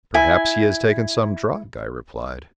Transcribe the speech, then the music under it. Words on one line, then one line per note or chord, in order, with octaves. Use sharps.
"Perhaps he has taken some drug," I replied.
E4 G#5